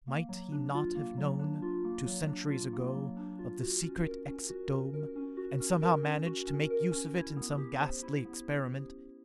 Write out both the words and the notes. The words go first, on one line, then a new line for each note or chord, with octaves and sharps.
Might he not have known, two centuries ago, of the Secret Exit Dome, and somehow managed to make use of it in some ghastly experiment?
A#3
F#3
D4
F4
A#3
F#3
D4
F4
A#3
F#3
D4
F4
A#3
F#3
D4
F4
F#4
C#4
A#4
C#4
F#4
C#4
A#4
C#4
F#4
C#4
A#4
C#4
F#4
C#4
A#4
C#4
E4
B3
G4
C5
E4
B3